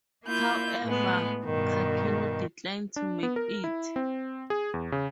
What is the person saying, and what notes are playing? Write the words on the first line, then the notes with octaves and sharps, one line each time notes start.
However Pacino declined to make it.
A#3 E4 F4 G6
A2 G#3 B3
G2 B2 D#3
D4
B3
A#4
E4
C4
G#4
E2
C#3